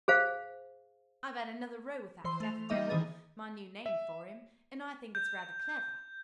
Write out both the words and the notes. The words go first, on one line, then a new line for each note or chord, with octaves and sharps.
I've had another row with that deaf-devil--my new name for him, and I think it's rather clever.
G#4 C5 F5
E3 C5 C6
A3 F7
G3 A#3 D#4 D#5 E5 D6
D#3 E3 G#4 D#5 A6
E5
G6